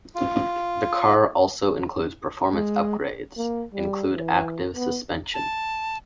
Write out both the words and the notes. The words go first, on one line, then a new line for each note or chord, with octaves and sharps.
The car also includes performance upgrades include active suspension.
F4
G#3
A#3
G3
E3
B3
A5